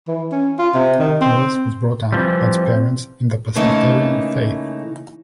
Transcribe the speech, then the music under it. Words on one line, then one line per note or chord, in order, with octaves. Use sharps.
Wallace was brought up by his parents in the Presbyterian faith.
E3
C#4
F4
C3
D#3
C4
E3 F3 G3 C4
C#3 E3 A3 A#3 D#4